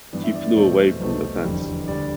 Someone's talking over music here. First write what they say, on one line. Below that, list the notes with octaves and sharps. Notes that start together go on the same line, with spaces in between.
He flew away from the fence.
G2 E3 B3 D5
E5
D5
E2 B2 A3 C4 C5
C2 B2 A3 C4
F1 E2 D3 G3 C4
D2 D3 G3 D5